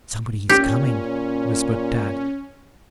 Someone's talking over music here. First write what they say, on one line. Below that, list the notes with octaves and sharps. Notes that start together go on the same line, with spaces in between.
"Somebody is coming," whispered Tad.
A#2 C#4 G4